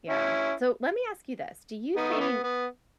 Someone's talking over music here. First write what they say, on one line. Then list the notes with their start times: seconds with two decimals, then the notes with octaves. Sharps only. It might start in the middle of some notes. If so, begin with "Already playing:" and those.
Yeah. So let me ask you this. Do you think-
0.09 C#4 E4
1.97 B3 D#4
2.10 A3
2.20 E3 B3
2.44 B3